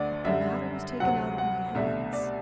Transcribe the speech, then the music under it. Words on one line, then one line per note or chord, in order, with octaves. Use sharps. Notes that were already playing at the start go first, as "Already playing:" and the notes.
But the matter was taken out of my hands.
Already playing: D2 D3 A3 D4 D5
F#2 D3 G3 E5
D2 C3 F#3 F#5
F#5
C2 B2 A3 D4 E5
D5